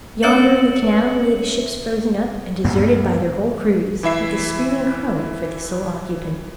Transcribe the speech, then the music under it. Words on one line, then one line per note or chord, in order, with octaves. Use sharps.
Yonder in the canal lay the ships frozen up, and deserted by their whole crews, with a screaming crow for the sole occupant.
C#4 B4 C#5 E5 C#7 F#7
D2 G2 A#3 B3
E3 E4 E5 C7